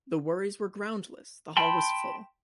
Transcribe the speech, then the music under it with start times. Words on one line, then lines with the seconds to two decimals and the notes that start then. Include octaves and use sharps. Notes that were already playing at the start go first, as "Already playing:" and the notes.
The worries were groundless: the hall was full.
1.57 G5 A5 B5 C6